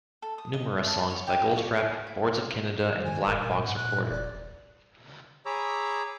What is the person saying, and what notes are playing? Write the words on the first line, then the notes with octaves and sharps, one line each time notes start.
Numerous songs by Goldfrapp, Boards of Canada and Black Box Recorder.
A4
D#6
D#5
A5
C#5
G4
C#5
G#5
E4
D#3 G#5
E1 A#4
A#2
G#2 F#5
A#2 F#6
E1 D5
G#4 C#5 A#5 B5 D6 E6